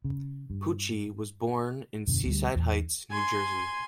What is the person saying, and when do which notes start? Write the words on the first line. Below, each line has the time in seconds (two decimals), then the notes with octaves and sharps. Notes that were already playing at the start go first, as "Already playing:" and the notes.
Pucci was born in Seaside Heights, New Jersey.
0.04 C#3
0.50 G2
2.07 E1 F#2 B2 D3
2.26 D2 G3
2.55 E2
3.11 G#5 C6